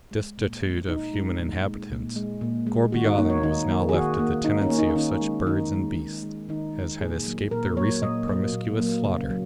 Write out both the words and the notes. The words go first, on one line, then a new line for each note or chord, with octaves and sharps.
Destitute of human inhabitants, Gourbi Island was now left to the tenancy of such birds and beasts as had escaped the recent promiscuous slaughter.
G#3
A#2
G#3
A#2 D#4
G#3
A#2
G#3
A#2
G#3
A#2
G#3
D#3 F#4
D#4
A#3 D#4
C#5
D#3 D#4
A#3
G#4
D#3 F#4
A#3
D#3 D#4
C#4
A#3
D#4
D#4
D#3 C#4
G#3
D#3 D#4
G#3
D#3
G#3
D#3 D#4
G#3
A#2 G#4
F#3 A#3
A#2 A#4
F#3 A#3 C#5
A#2 D#5
F#3 A#3
A#2
F#3 A#3
C#3
F#3